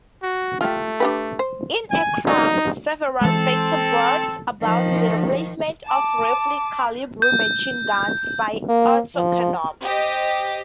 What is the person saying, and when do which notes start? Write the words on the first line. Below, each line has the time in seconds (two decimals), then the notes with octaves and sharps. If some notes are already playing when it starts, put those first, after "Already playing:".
In aircraft, several factors brought about the replacement of rifle-calibre machine guns by autocannon.
0.23 F#4
0.61 A3 F4 G4
1.00 D4 G4 B4
1.39 C5
1.90 G#5
2.27 F#3 D#4 G#4 D5
3.21 E3 G#3 C4 A4
4.61 D#3 F3
5.85 A5 D6
7.22 G6
8.69 A#3
9.16 F3
9.81 G4 C5 D#5